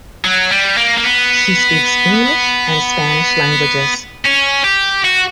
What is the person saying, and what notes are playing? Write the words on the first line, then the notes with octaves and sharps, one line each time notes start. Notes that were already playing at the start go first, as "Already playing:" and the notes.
She speaks English and Spanish languages.
F#3
G3
A#3
A#3
B3
C#4
G4
F#4